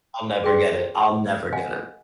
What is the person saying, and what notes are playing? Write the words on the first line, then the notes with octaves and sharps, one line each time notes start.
I'll never get it. I'll never get it.
G#4 D5 G5 C6
D#5 F5 F#5 G#5